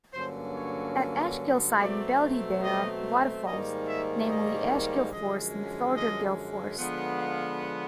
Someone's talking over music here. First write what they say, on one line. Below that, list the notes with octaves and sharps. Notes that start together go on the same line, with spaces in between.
At Ashgillside and Beldy there are waterfalls namely Ashgill Force and Thortergill Force.
G2 D3 F#3 A#3 C#4 C5
C#5
B2 F#3 A3 C4 D5
D#5
G#2 D#3 G3 A#3 D#5
E5
D#5
F#2 D3 F3 G#3 C#4 D#5
D#5
D3 F3 G#3 B3
F5